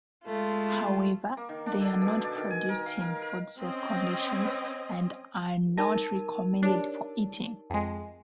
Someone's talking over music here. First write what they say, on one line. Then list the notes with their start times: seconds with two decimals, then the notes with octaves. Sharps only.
However, they are not produced in food-safe conditions, and are not recommended for eating.
0.25 G#3 A3 F4
1.37 A#3
1.49 D#3
1.66 D4
1.80 D3
2.02 B2
2.25 D5
2.36 D#3
2.50 G#5
2.69 A#4
2.86 F5
3.01 A#4
3.22 A#4
3.61 C4 C#4 D#5
5.78 D#4 A#4 A5 A#6
6.63 D4 G4 C#5
7.70 F2 G#3